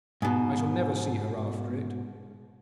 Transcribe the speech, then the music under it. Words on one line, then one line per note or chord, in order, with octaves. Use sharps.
I shall never see her after it.
G#2 B2